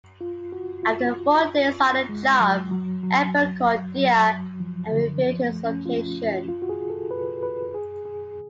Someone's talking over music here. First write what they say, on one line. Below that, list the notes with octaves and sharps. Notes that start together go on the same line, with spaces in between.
After four days on the job, Egbert called Dear and revealed his location.
F4
F#4
F4
G#3
F#3
F#3
F#3
F#3
F3
D3
F3
A3
C#4
F4
F4
F#4
G#4
A4
B4
B4
G#4
G#4